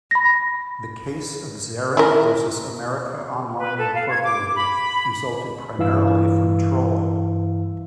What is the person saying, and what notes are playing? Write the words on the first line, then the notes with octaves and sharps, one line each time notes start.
The case of "Zeran versus America Online, Incorporated" resulted primarily from trolling.
B5 A#6
E4 A#4
B4
A4
F5
G#6
D6
B5
G2 E3 E4 F5 E6